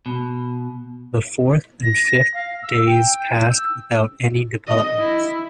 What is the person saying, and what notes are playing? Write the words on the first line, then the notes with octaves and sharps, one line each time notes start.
The fourth and fifth days passed without any developments.
B2
A#6
F5
E6
G5
G6
E6
D#5
E4